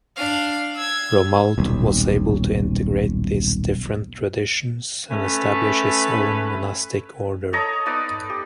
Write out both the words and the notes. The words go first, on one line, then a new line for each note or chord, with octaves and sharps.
Romuald was able to integrate these different traditions and establish his own monastic order.
D4 F5
E6 G#6
D#1 B1
A3 C#4 B4
A4 C#5 D#5 A#5
B3 D#4 D5
G4